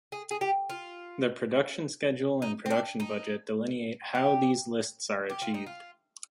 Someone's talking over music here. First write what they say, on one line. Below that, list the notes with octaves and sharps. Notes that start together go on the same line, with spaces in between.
The production schedule and production budget delineate how these lists are achieved.
G#4
G#4
G4
F4
D#4
C4
D4
D#4
G4
G4
F4
D#4
F4